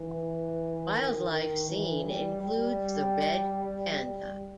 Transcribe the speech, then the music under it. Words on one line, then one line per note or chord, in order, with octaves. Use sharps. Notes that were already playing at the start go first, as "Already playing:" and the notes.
Wildlife seen includes the red panda.
Already playing: E3
D#3
D#3
E3
G3
G3
G3